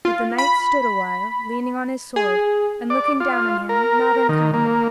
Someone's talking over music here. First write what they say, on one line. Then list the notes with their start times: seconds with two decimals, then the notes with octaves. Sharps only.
But the Knight stood a while leaning on his sword, and looking down on him not unkindly.
0.05 F4
0.38 B5
2.16 G#4
2.90 D5
3.20 F4
3.69 A#4
4.29 D#3
4.54 A#3